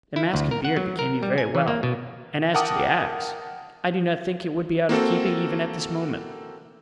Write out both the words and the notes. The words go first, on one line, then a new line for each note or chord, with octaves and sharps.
The mask and beard became you very well, and as to the axe, I do not think it would be out of keeping even at this moment.
E4
D2
A#4
F#5
F#3
A#4
G3
G#5
E3
A#3
B2
A#4 F#5 G5 A5 D6 D#6
A#3 C4 F#4 A4